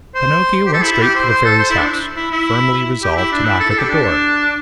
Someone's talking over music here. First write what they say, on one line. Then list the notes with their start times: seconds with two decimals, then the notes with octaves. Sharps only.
Pinocchio went straight to the Fairy's house, firmly resolved to knock at the door.
0.15 C5
0.66 G4
0.73 A4
0.82 E4
0.92 E4
1.01 G4
1.15 C5
1.30 C5
1.45 A4
1.59 C5
1.70 E4
1.78 D4
2.16 E4
2.31 E4
3.03 G4
3.17 E4
3.32 D4
3.45 E4
3.60 A4
3.70 A4
3.79 G4
3.89 D4